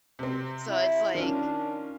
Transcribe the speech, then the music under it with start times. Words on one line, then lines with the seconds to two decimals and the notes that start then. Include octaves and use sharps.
So, it's, like
0.19 C3 C4
0.68 E4
1.15 D#3 C#4 D4 F4